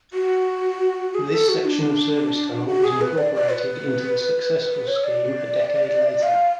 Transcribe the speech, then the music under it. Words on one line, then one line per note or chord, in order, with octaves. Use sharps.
This section of service tunnel was incorporated into the successful scheme a decade later.
F#4
G#4
A4
F#4
D4
F#4
G#4
B4
D5
D5
B4
B4
C#5
D5
F5